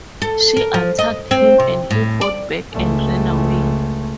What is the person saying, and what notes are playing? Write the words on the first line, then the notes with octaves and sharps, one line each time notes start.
She attacked him and he fought back and ran away.
A4
A#4
F3
D#5
C4
C3
A2
D5
C#2 A3